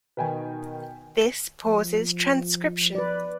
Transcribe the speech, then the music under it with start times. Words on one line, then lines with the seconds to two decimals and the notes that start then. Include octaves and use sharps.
This pauses transcription.
0.17 B2 D#3 B4 G5 G#5
1.62 F3
2.95 B4 D5